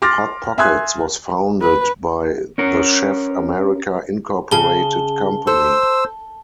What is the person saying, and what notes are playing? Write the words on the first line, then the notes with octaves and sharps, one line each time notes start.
Hot Pockets was founded by the Chef America Incorporated company.
C6 D6 F6 A6 A#6
E5 G#5 C6 D#6 F#6 G#6
B4
C#4 A#4
C#3 G#4 A5 G7
A4 C5 E6